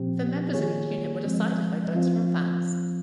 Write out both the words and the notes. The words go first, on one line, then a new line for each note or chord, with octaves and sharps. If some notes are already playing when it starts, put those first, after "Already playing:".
The members of each unit were decided by votes from fans.
Already playing: A#2 F3 C4 G4
D#3 A#3 F4 G#4 C#5
F3 G#3 C4
F3 C4 F4